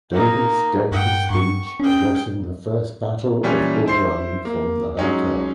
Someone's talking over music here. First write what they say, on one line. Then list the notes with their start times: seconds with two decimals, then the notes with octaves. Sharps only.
Davis gave his speech addressing the First Battle of Bull Run from the hotel.
0.12 A#3 D#4
0.92 G2 F#5 G5
1.30 G2 C#6
1.80 C#4 G#4 G5
3.43 A#2 E3 G3 C#4
3.86 E4 C5 C7
4.45 A#3
4.97 F#3 G#3 C#4 D#4